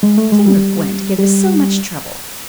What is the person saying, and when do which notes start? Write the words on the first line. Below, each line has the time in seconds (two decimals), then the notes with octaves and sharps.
Shame of Gwen to give us so much trouble!
0.03 G#3
0.18 A3
0.32 G#3
0.46 G3
1.18 G3